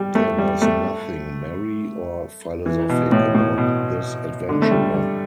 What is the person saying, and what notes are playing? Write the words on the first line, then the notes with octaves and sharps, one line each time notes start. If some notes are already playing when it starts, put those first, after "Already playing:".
There was nothing merry or philosophic about this adventurer.
Already playing: G3
A3
G3
A3
E3
B2
A2
A2
B2
D3
A3
G3
G3